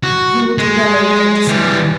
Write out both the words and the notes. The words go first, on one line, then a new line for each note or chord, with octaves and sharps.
"You will do better never to say it."
F#4
G#3
E3 G3